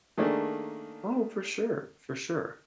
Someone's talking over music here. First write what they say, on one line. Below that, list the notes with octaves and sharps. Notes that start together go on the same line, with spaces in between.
Oh, for sure, for sure.
D#3 A3 A#3 D4 G#4